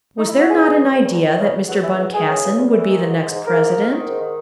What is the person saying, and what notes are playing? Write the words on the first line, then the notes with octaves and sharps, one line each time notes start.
Was there not an idea that Mr. Boncassen would be the next President?
D#4
E4
F#4
E2 G#3 G#4
E2
C#3
E2
E2
E2
C#3
C#3
E2 F#3 F#4
C#3 E3 E4
E2 F#3 F#4
E2 G#3 G#4
C#3
E2
E2
E3
D#3
G#2
G#2
G#2
G#2 A#3 A#4
D#3
G#2
D#3
G#2
D#3